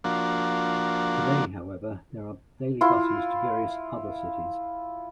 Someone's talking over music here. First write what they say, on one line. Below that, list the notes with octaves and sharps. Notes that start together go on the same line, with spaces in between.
Today, however, there are daily buses to various other cities.
F3 A#3 D4 F#4
E4 F4 C6